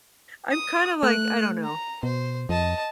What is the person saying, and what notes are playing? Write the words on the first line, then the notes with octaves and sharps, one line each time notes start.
I'm kinda, like, I don't know.
D#6
A3 F#6
A#5
B2 C5
F2 D#5 A5